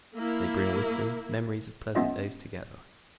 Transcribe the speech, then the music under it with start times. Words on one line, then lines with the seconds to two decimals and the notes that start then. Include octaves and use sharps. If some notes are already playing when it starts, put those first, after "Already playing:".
They bring with them memories of pleasant days together.
0.16 A#3 E4
1.95 A3 B3 C#4 F4 D#5 E5